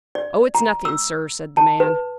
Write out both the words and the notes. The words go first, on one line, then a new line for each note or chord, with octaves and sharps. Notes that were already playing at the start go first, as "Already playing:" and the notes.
"Oh, it's nothing, sir," said the man.
D5
A#5
E6
A5
B4